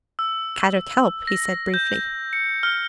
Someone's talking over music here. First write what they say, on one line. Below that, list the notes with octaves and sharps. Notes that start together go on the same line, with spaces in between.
"Kadok help," he said briefly.
E6
A#6
G6
C#7
F6